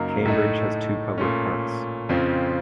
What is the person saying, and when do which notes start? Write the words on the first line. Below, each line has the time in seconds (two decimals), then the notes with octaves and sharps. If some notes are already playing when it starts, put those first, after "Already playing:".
Cambridge has two public parks.
Already playing: F#2 C#3 F#3 A#3 D#4
0.25 A2 A3 D#4
1.18 A#2 A3 C#4
2.09 F2 C#3 F3 C4